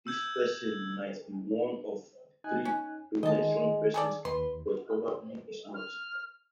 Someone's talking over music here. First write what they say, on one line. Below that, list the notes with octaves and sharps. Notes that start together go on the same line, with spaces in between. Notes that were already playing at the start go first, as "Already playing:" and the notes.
This person might be one of the three prementioned persons, but probably is not.
E6 G6 G#6
D#4 G#5 F#6
C#4
D#3 G#3 D#5 A5
G#4 A4 D5
D#2 B4 C6
F6